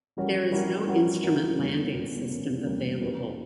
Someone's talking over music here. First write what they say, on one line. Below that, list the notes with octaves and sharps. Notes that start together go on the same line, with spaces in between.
There is no instrument landing system available.
E3 G3 C#4 F#4 A#4
E3 G3 C#4 F#4 A#4
E3 G3 C#4 F#4 A#4
E3 G3 C#4 F#4 A#4
E2 C#3 G3 A#3 C#4
E2 C#3 G3 A#3 C#4
E2 C#3 G3 A#3 C#4
E2 C#3 G3 A#3 C#4
E3 A#3 C#4 G4 B4